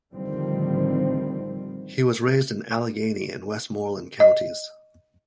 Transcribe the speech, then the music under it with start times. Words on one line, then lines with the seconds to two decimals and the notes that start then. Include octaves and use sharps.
He was raised in Allegheny and Westmoreland counties.
0.14 A1 D3 D#3 F3 G3 C4
4.20 D#5